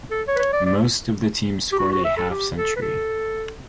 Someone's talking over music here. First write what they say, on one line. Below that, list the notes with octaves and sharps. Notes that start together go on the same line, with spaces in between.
Most of the team scored a half century.
A4
C#5
B4
C#5
D5
D5
G4
F#4
F#4
E5
A4
G4
A4
B4
A4